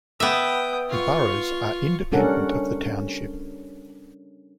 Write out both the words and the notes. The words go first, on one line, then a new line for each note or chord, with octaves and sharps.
The boroughs are independent of the township.
B3 E5 G5 D#6
F4 C#6
G3 C#4 D4 A4 A#4 F#5